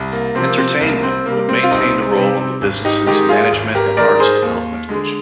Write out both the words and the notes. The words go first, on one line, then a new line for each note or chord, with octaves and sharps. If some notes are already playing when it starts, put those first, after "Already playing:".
Entertainment, but maintained a role in the business's "management and artist development" division.
Already playing: C2
A#3
C3 F3 C4
A#3
C4
C2 A#3
C4
C3 G3 A#3
C4
F4
C2 C4 D#4
C3 G3
G#1
D#4 G4
G#2 D#3 G#3 D#4 G4
F4 G#4
G#1
G4 A#4
G#2 D#3 G#3 A#4 D5
G#4 C5
D#2
D3 G#3